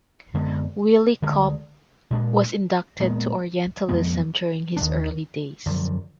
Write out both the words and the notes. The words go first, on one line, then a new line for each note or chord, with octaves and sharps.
Willy Kaup was inducted to orientalism during his early days.
F#2 D3 G#3 B3
D2 D3 G#3
A#2 G#3 D4
A#2 G#3 B3
F2 F3 G#3 B3
D#2 D#3 G#3 D4
F#2 D3 F3